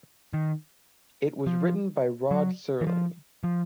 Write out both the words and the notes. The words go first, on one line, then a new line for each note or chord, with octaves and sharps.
It was written by Rod Serling.
D#3
F3
F#3
E3
F3
F3